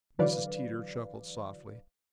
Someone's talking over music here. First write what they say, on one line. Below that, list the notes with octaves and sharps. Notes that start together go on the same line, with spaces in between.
Mrs. Teeter chuckled softly.
D3 E3 F#3 B4 D5 F5